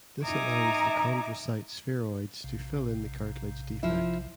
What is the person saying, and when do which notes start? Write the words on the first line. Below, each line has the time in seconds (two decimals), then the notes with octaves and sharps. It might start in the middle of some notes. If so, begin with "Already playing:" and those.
This allows the chondrocyte spheroids to fill in the cartilage defect.
0.24 D#4 E5 G#5 A#5 D6
2.44 A#1 C3
3.83 F3 E4